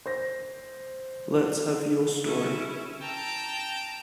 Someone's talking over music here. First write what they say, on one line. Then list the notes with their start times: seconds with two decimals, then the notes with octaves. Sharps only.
Let's have your story.
0.06 C5 A#6
2.24 C#4 E4
3.02 G5 A5 A#5